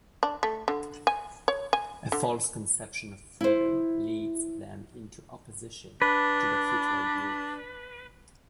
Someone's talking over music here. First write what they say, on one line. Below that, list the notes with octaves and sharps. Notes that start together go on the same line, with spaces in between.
A false conception of freedom leads them into opposition to the Hitler Youth.
D4
A3
D3
G#5
C#5
G#5
D3
E4 C5
D4 B4